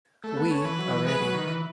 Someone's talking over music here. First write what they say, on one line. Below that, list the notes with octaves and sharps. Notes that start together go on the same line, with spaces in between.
We are ready.
A3 A4
B3
C#4
E3 B4
F#3
E3
G#3 B4
F#3
D#3
E3